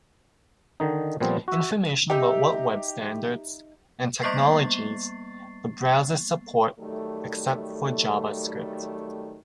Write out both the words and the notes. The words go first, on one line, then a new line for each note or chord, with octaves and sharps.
Information about what web standards, and technologies the browsers support, except for JavaScript.
D3 D#3 D#4
A#2 F3 G3 B3 C4
F#4 E5
D#4 G4 E5
G3 A#3 B3 C#6 A6 C7
D#3 F#3 G3 A3